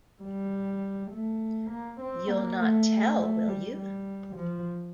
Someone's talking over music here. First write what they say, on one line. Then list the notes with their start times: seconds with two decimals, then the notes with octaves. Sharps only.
You’ll not tell, will you?
0.22 G3
1.11 A3
1.70 A#3
2.01 C4
2.30 A#3
2.60 A3
3.19 A3
3.48 G3
3.77 G3
4.37 F3